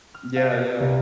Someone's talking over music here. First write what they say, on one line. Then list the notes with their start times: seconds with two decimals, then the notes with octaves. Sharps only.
Yeah, yeah.
0.14 F6
0.36 F5
0.80 C2